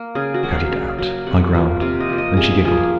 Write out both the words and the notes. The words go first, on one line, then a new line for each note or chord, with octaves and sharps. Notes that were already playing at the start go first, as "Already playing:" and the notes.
"Cut it out," I growled, and she giggled.
Already playing: A#3
C#3 G#4
F#4
F#3 A#3 F#5
F5
C#3
F#3 A#3
C3 F#5
F3 A#3
C3 F5
D#5
F3 A#3
D#5
C3 G#4
F3 A#3 G#4